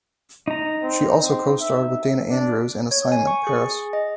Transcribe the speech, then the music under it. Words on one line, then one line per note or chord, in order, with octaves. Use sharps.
She also co-starred with Dana Andrews in Assignment - Paris!
D#4 A#5
C4
C4
E5
D4
C#5
G#5
C#6
G#4
G#4
D#5